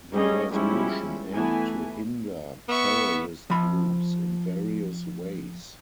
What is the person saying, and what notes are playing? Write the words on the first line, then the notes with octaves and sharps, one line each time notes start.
The resolution aimed to hinder terrorist groups in various ways.
G3 A3 C#4 G#4 D#5
F3 G3 G#3 C#4 E4
E3 A3 B3 E4 G#5
B3 E5 C#6
F3 B5